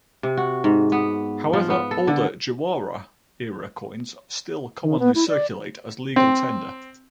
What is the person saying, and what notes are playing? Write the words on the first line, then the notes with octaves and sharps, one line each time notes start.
However, older Jawara era coins still commonly circulate as legal tender.
C3
F#4
G#2
B3
F3
B3
A4
D3
D#3
B3
E4
D5
C4